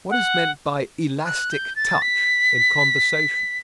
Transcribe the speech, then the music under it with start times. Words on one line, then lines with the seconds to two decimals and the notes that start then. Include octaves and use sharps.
What is meant by "elastic touch" in conversation?
0.10 F#5
1.25 F#6
1.51 G6
1.76 A6
2.02 B6